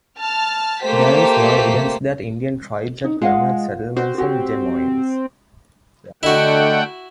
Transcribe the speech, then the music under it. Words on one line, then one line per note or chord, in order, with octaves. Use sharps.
There is no evidence that Indian tribes had permanent settlements in Des Moines.
A5 F6
A3 A#3 G4 C5 B6
D#4
G#3 F4 F5 F#5
C4 F#4
F#4 G4 C#5
D3 A3 E4 F#4 D#5 F#5 G5